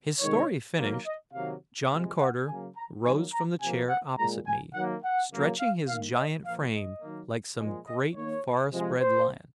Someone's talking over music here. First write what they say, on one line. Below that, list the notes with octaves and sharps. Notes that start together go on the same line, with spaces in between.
His story finished, John Carter rose from the chair opposite me, stretching his giant frame like some great forest-bred lion.
C3 D#3 G#3 C#5
D#3 F#3 A#3
D#5
C3 D#3 F#3 A#3 F5
C3 F3 G#3 F5
F#5
C#3 F#3 A#3 G#5
A#5
D#3 F#3 A#3 G#5
A#5
C3 F3 A#3 G#5
F#5
A#2 G#3 A#5
G#5
D#3 F#3 A#3 F#5
F#5
C#3 F#3 A#3
F5
D#3 A#3 F5
D#5
A#2 F3 A#3 F5
D#5
D#3 F#3 A#3
A#2 F3 G#3
D#5
D#3 A#3 C#5
C3 F3 G#3
C5